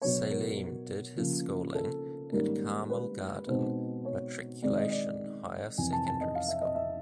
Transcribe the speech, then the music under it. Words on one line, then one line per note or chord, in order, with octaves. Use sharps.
Saleem did his schooling at Carmel Garden Matriculation Higher Secondary School.
B2 F#3 B3 D4 C#5
A#4
C#3 F3 A#3
A4
G#2 D#3 G3 A#3 C#4 A#4
B4
B2 G#3 C4 D#4 C5
C#5
D#3 G#3 C4 D#4 D5
D#5
D5
F2 C3 E3 G#5
A5
A5
D#5
F5
E5
D#5
E5